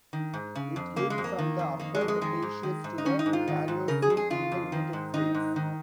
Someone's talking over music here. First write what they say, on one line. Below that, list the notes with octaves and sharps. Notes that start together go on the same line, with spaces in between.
It lived from the Upper Cretaceous to the Paleocene in the United States.
D#3
G#2
C#3
F2
C#3 A#3
G#3
F2
A#3
D#3
F2
D#3 A#3
G#3
F2
G#3
D#3 G#3
G#2
D#3
G#2
D#4
D#3 C#4
D#4
G#2
F4
D#3
G#2
C#3 A#4
G#4
F2
G#4
C#3 F4
F2
D#3
G#2
D#3 D#4
G#2
D#3